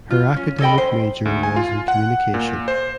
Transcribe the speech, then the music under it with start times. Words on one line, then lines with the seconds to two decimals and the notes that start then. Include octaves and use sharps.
Her academic major was in Communication.
0.10 F4
0.36 C#4
0.61 A4 D#5 G5 B5
0.78 C#4 C5
1.25 D2
1.43 G#5
1.56 F4
1.88 F#5
2.34 A#2
2.68 C5